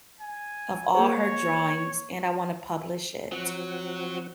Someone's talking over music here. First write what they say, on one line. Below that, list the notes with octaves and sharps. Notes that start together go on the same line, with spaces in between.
of all her drawings, and I wanna publish it
G#5
A#3 G#4 C5 C#5
F3 F#3 C4 F#5